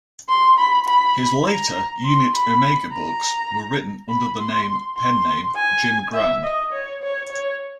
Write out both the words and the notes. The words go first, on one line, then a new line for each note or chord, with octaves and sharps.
His later "Unit Omega" books were written under the name pen name Jim Grand.
C6
B5
B5
A#5
C6
B5
A#5
B5
C6
C6
G#5
E5
D#5
C#5
C#5
C#5